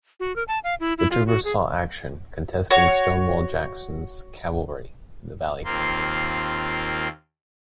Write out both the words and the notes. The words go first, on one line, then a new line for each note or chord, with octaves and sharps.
The troopers saw action contesting Stonewall Jackson's cavalry in the Valley Campaign.
F#4
A#4
A5
F5
E4
E4
F4
F#4
G#4
F#4 C#5
D#2 A#3 C4 F4 C6